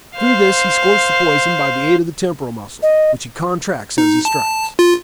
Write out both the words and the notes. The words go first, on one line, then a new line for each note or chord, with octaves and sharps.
Through this he squirts the poison by the aid of the temporal muscle, which he contracts as he strikes.
C5 F5
D#5
D#4
A5
F4